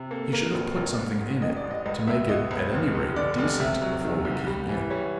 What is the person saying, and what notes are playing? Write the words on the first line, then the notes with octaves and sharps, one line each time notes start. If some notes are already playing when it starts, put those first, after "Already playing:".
"He should have put something in it to make it at any rate decent before we came in."
Already playing: C3
A#3 A4
A#3 A#4
A#1 B4
A#1 A#4
G#2
A1
A1 D#5
D5
A1
D#5
C#2 D#5
C#2 E5
B2 D#5
C#2
F1
F1
D3 D5
F1 D5
C3 E5
F#3
D#3
C2
G3
E3
G3 C#5